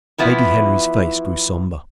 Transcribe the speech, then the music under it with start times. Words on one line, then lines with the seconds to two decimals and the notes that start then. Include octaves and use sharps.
Lady Henry's face grew sombre.
0.18 E3 F3 B3 E4